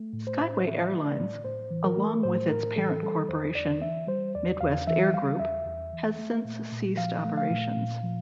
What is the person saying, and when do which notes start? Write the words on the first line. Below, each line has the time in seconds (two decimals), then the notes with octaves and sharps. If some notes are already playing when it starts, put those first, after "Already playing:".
Skyway Airlines, along with its parent corporation, Midwest Air Group, has since ceased operations.
Already playing: A3
0.13 A2
0.27 C5
0.40 A2
0.66 E3 E5
0.92 A3
1.06 D5
1.18 A2
1.45 A2 C5
1.71 E3
1.84 A#4
1.97 A3
2.23 A2 C5
2.50 A2 A#4
2.76 E3 A4
3.03 G3 A4
3.29 E2 C5
3.55 E2 D5
3.82 E3 E5
4.08 G3 C5
4.35 E2 D5
4.61 E2 F5
4.87 E3 E5
5.13 G3 F5
5.40 E2 E5
5.66 E2
5.93 E3
6.19 A3
6.45 A#2
6.72 A#2
6.97 F3 F5
7.25 A3
7.37 F5
7.50 A#2
7.77 A#2
8.03 F3